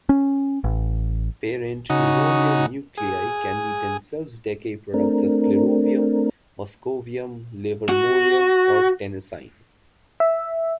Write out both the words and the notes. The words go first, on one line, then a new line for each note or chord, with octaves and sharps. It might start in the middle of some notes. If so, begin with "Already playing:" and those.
Parent nihonium nuclei can be themselves decay products of flerovium, moscovium, livermorium, or tennessine.
C#4
A1
C#3 D#4 F#4
G#4
A3 C4 D4 A#4
F#4
E5